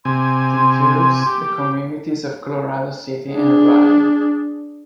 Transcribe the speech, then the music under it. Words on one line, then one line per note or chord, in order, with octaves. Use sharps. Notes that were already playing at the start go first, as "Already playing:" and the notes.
It includes the communities of Colorado City and Rye.
C3 G#5 C6
G4
D4 G#4